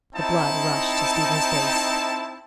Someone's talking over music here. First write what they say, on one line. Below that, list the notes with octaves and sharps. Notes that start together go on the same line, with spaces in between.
The blood rushed to Stephen's face.
C4 D#4 E4 A5